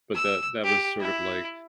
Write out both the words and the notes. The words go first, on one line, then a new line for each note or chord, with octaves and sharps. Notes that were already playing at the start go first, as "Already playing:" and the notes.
but the that was sort of like,
E6
G4
E4